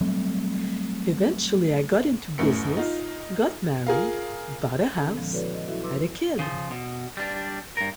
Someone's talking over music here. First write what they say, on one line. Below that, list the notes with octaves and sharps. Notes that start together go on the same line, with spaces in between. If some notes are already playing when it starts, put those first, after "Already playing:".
Eventually I got into business, got married, bought a house, had a kid.
F#3 G3 A3 C4
A1 F#2 C#7
D#4 F4
F4 G#4 A#4 F5
D#3 C#4 A4
A#2 D3 F3 G#3 B3
E4 F#4 A4 B4 C#5 D5
D#5
F#3 E4 F#4 A4 E5
B4 C6 D6 E6
C#3 F3
B2
G3 D4
G2 A#4